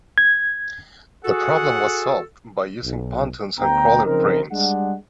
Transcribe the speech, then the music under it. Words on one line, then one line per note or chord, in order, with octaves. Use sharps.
The problem was solved by using pontoons and crawler cranes.
G#6
F#4 G#4 A4 F#5
B1
D2 B3 G5 A#5
C#3 F3 C4 D#4 A#4
G3 G#3 D4 F#5